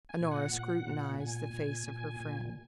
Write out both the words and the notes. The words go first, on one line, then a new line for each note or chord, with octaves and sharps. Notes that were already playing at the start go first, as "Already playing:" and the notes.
Honora scrutinized the face of her friend.
G#5
A#2
F#5
A#2
A#2
A#2 G#5
A#2
A#2
A#2